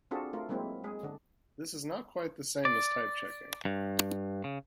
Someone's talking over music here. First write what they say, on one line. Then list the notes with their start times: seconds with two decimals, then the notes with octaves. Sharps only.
This is not quite the same as type checking.
0.11 C4 D4 F4 F#4 G#4 A4
0.33 A3 F4 A#4
0.49 F#3 G#3 A#3 C4 E4
0.84 G#3 G#4
1.03 D3 D4
2.65 D5
3.65 G2
4.44 C#3